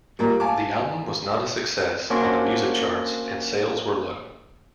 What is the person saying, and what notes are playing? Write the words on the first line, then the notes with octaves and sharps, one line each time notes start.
The album was not a success on the music charts and sales were low.
A#2 G3 A#3
F5 G#5 A5 D6
A#3 C#4 D4 F#4 C5